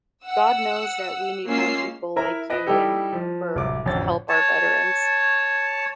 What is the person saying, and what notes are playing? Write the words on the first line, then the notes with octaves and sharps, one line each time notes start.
God knows that we need more people like you, and for to help our veterans.
F#5 E6
G#3 A#3 C#4 F4 E6 C7
E4 A#4 E5 A#5
B4 D#5 A#6 D7
G3 D#4 E4 G4 A4
F3
D1 C2 D6
A1 F2 D3 C#5 A6
C#5 A5